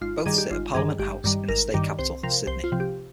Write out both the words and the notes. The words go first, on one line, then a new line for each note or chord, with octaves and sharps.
Both sit at Parliament House in the state capital, Sydney.
G#1 F4
G2 D#3 G3 G#4
G4
G#1 F4
G2 D#3 G3 G#4
G#1 G4
G2 D#3 G3
G#1 A#4
G2 D#3 G3
C2 C5
C3 F3 A#4
C2 C5
F4
C3 F3
G4